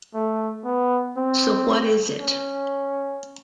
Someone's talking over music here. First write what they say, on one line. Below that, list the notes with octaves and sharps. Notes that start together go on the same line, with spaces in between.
So what is it?
A3
B3
C4
C#4